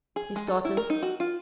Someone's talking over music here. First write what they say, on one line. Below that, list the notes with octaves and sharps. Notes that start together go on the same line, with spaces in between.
He started.
G#4
G#3
A4
E4
A#4
D#4
F#4
F4